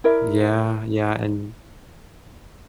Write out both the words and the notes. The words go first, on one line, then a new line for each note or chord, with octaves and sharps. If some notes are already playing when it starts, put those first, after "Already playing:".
Yeah, yeah, and
E4 A#4 D5 E5